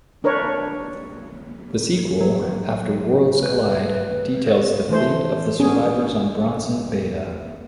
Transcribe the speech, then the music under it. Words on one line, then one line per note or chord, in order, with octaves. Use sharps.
The sequel, "After Worlds Collide", details the fate of the survivors on Bronson Beta.
D4 A#4 B4 C#5
F#3
B4
E3 A3 C5
B3 C#4 D4 G#4